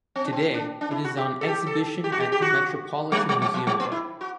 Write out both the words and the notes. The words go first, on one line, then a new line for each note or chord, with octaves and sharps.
Today, it is on exhibition at the Metropolitan Museum of Art.
C4
D4
C4
D4
D4
E4
F#4
G4
A4
G4
A4
G4
F#4
G4
G4
F#4
G3
A3
G3
G3
F#3
G3
B3
E4
F#4